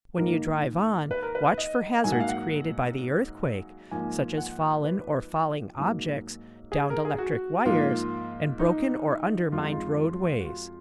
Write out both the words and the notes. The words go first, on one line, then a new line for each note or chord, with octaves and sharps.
When you drive on, watch for hazards created by the earthquake, such as fallen or falling objects, downed electric wires, and broken or undermined roadways.
G#2 D#3 A#3 A#4
B4
A#4
B4
D#5
G#2 F#3 A#3 G#5
F#5
F5
F#5
G#2 F3 A#3 G#5
F#5
B4
G#2 F#3 A#3
G#4
A#4
G#4
F#4
G#2 F3 A#3 F4
D#4
F2 F3 G#3 F4
D#4
F4
F#4
F4